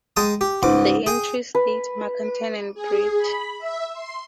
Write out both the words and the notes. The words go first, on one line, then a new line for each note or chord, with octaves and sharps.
The entry states Makaton, n. Brit.
G#3 G5 A5 D#6
G4
C#2 G#2 D6
G#4 G5 G#5
B4
G#4
B5
E5
C6